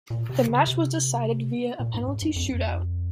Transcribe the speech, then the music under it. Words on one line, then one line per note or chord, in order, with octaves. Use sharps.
The match was decided via a penalty shoot out.
A#2
C3
C#3
C3
A#2
G#2
G#2
G2
F2
G2
F2